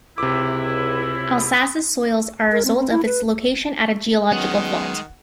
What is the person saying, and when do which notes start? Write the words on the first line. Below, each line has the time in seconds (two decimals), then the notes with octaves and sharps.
Alsace's soils are a result of its location at a geological fault.
0.18 C#2 C3 E4 D6
2.52 A#4
2.65 C4
2.78 C4
2.91 E4
3.06 B4
4.31 D#3 F#3 G#3 B3 C#4 F#5